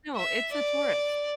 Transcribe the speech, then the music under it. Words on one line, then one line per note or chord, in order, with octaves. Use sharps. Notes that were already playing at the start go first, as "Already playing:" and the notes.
No, it's a tourist.
E5
D5